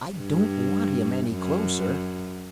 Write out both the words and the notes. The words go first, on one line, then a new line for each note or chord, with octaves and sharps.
"I don't want him any closer."
G2
F#2